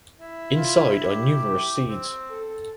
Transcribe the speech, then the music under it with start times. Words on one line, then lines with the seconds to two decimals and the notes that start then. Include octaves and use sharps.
Inside are numerous seeds.
0.18 E4
0.55 F4
1.03 G4
1.86 C4
2.31 A4